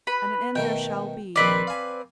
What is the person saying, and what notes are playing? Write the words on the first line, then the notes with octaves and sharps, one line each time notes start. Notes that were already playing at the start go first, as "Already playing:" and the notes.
And an end there shall be.
B4 B5
B2 D#3 A3 G5
A#1 D#3 C4 B4 D5 D#5
F5 G#5